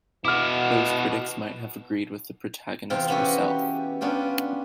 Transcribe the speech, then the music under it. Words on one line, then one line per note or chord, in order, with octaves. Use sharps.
Those critics might have agreed with the protagonist herself.
B2 E4 F#4 D6 F6
E2 C3 C4 F4 C5
B3 C#4 E4 F#4 G4
B3 C#4 D4 F4 G4